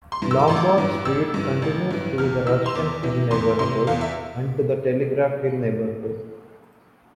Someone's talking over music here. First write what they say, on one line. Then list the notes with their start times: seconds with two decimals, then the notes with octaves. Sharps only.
Lombard Street continues through the Russian Hill neighborhood and to the Telegraph Hill neighborhood.
0.12 C6
0.22 G2 E3
0.31 E6
0.39 D6
0.48 A1 C6
0.57 D6
0.78 G2 E3
1.05 A1 E6
1.34 G2 E3
1.62 A1
1.91 G2 E3
2.18 E2 F6
2.47 C3 E3 E6
2.66 C6
2.75 E2 D6
3.03 C3 E3
3.31 E2 C6
3.59 C3 E3 C6
3.87 E2 F5
4.01 E5